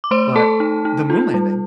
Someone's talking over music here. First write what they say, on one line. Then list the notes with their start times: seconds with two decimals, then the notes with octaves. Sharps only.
but the moon landing.
0.04 D6
0.11 A3 C5 C6
0.35 A3 A4 A5
0.60 D#4
0.85 D#4
1.10 F4
1.34 G3